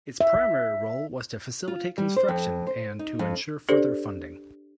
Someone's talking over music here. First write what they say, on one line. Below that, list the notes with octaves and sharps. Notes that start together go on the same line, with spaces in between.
Its primary role was to facilitate construction, and to ensure further funding.
E5
F4
G3
C5
F2
C5
D#4
F2
D4 G4 A4 C5 D5